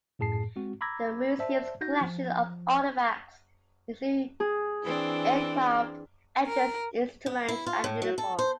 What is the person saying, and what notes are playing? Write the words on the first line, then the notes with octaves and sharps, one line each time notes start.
The museum's collection of artefacts includes aircraft, engines, instruments and uniforms.
F#2 A2 G#4 A5 C7
G#3 C4 F#4
A#5 B5 D6 E6 G#6 A#6
C5 D5 E5 A5
D#4 F#4 G6 A#6
F3
G#4
E3 C4 D4
A#4
B3
E4
F4
A2
F#3
A4
C5